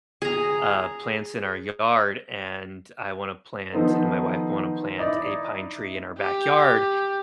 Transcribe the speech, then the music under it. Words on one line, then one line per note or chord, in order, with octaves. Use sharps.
uh, plants in our yard, and I wanna plant, and my wife want to plant a pine tree in our backyard,
G#4 A#5
D#3 F3 B3 D#4 A4 C5
D#4 E4 D5
G4